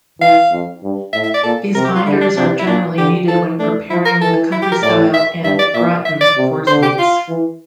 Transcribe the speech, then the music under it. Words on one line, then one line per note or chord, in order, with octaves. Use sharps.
These binders are generally needed when preparing the country-style and "gratin" forcemeats.
E3 F5
F2
G2
A2 E5
E5
D5
A#2 A4
C3 A#4
G4
F4
D3 E4
D4
C3 D4
E4
A#2 D4
D3 G4
F3 A4
A3 D4
F3 E4
A#4
E3 A4
E4
G4
A#4
A2 D5
E5
G2 E5
D5
A#2 E5
E5
D5
C3
D3 C5
G4
F4
E3